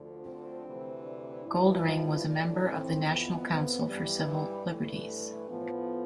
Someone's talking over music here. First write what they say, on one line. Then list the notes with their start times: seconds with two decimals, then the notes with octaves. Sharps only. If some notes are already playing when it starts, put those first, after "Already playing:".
Goldring was a member of the National Council for Civil Liberties.
Already playing: D2 D3 F3
0.24 C4
0.64 D2 C3 E3
1.03 D4
1.44 G2 F3 E4
2.25 A2 E3 D4
2.65 C4
3.05 F2 E3 B3
3.86 G2 E3 G3
4.27 G3
4.67 G2 E3 A3
5.48 A2 F3 B3